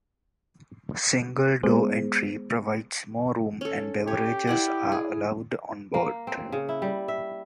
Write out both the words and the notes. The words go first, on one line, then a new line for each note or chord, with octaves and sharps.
Single door entry provides more room and beverages are allowed on board.
G#3 B3 G#4 C5
C#4 A4
G4 C#5
E4 D5 F#5
G#4
A#3
C4
C#3
E4
G3
E5